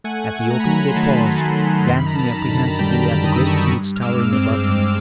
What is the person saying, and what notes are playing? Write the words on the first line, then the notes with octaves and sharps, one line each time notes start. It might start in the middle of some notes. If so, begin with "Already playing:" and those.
At the opening they paused, glancing apprehensively at the great roots towering above them.
A3 F#5 G#5
A3
A#5
B5
F#3
G#5 A#5
C6
D#3 A5 B5
D#3
A#5 C6
D#3
F#2 C6
B5
A#5
F#2 A5 B5
D3
G3 G5 A5
G3
D#6
F#2 E6
C#6 D#6
G2
F6
G#3 D6 E6
C4 D6 E6
G#3 D6 E6